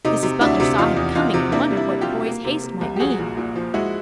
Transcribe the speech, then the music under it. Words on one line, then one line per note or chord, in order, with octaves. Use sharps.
Mrs. Butler saw him coming and wondered what the boy's haste might mean.
C3 D#4
C3
D2 D4 E4
C3
E2 D#4 F4
E2
E2 D#4 F4
C3
A#3 D4 E4
G3
D4 E4
G3
F4 G4
B2
A#3
C3
A#3
C2
G4
A#1 F#4 G#4
A#2
A#2
F3
G#3 E4 F#4